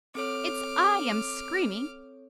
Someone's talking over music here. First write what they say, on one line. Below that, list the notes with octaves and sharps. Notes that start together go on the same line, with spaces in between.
It's I am screaming.
C4 A4 C#5 D6 F6